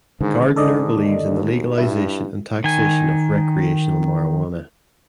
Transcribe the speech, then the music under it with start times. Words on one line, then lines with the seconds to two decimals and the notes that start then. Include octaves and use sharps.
Gardiner believes in the legalization and taxation of recreational marijuana.
0.21 G#2 D3 D#3 G#3
0.56 G#2 A4 D5 D#5
0.93 D#2
1.24 D#2
1.77 G2 E4
2.64 D#3 G#5